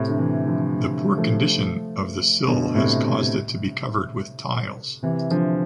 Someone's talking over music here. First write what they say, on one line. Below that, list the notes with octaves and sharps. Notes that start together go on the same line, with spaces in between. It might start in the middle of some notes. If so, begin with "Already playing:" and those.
The poor condition of the sill has caused it to be covered with tiles.
Already playing: A2 C3
D3
C3 E3
D3 F3
F3 A3
B2 D3
A2 C3
C3 E3
D3 F3